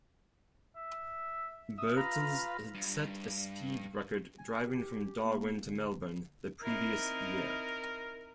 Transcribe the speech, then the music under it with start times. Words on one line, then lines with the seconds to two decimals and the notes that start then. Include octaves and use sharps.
Birtles had set a speed record driving from Darwin to Melbourne the previous year.
0.76 E5
1.78 E5 D#6
1.97 F4 B4 A#5
2.75 G2
4.38 G#5
4.66 G4
5.24 A#3
5.65 D3
6.62 C4 D#4 E4 A#4